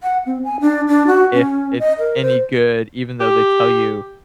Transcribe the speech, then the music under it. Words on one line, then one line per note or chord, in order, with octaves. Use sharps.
if it's any good even though they tell you
F#5
C4
G#5
D4
D4
F#4
C#4
D#5
A#4
C5
G4